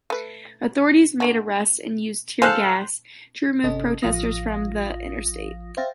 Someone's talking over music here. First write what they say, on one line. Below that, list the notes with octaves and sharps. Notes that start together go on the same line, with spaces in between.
Authorities made arrests and used tear gas to remove protesters from the interstate.
A3 B4
A#3 D4 F#4
A4 C5 F5 G#5 F#6
G1 C3 C#4 A4 D#5
A1 F3 F4 F5 D#6 A#6
C5 E5 F5 G5 A6 A#6